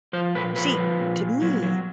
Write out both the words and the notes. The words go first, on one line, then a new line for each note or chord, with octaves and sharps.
See, to me,
F3 C5
A#2 B4
F3 B4
F3
A#2
A#2
F#3
F#3